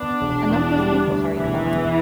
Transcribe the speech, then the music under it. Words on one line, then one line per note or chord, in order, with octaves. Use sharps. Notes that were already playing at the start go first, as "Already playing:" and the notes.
A number of people hurried by.
Already playing: B3 D4
E1
E2
G3
D2
E1 E3
E2